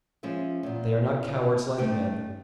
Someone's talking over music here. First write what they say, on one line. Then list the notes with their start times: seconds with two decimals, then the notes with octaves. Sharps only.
They are not cowards, like men.
0.23 F3 G#3 C#4 G#4 E5
0.63 E2 A#2
1.78 D#3 G3 A3 C#4 D#4 G5